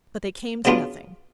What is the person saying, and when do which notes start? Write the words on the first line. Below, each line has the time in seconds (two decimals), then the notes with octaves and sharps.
But they came to nothing.
0.65 C#3 F#3 B3 D4 F4